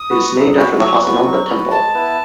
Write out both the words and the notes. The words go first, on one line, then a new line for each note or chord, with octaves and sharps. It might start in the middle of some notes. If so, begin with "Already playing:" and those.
It is named after the Hasanamba temple.
Already playing: D#6
B3 F#4 B4
F#3
B3 F#4 B4
F#3 C#6
B3 F#4 B4
F#3
B3 F#4 B4
G#3 A5
B3 E4 B4